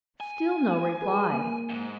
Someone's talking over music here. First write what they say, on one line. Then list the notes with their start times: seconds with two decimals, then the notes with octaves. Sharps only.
Still no reply.
0.20 G#5
1.02 G#4 B4
1.32 A#3
1.69 F2 G#2